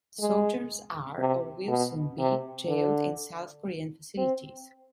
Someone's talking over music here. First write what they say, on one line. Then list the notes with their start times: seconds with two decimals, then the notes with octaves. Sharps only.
The soldiers are, or will soon be, jailed in South Korean facilities.
0.20 G#3
1.18 C3
1.68 B2
2.19 C3
2.67 D3
4.18 C4